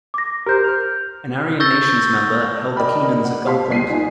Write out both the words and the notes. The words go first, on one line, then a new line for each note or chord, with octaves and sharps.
An Aryan Nations member held the Keenans at gunpoint.
D6 A#6
G4 A#4 C5 G6
F6
C#6 E6 G6 A6 A#6 G7
A#4 D5 D#5 G5 B5 F6
F#5
G4 C5 F5 A5 C6 B6
G1 C#2 B3 B6 C7 D#7
D#4 F4 G#5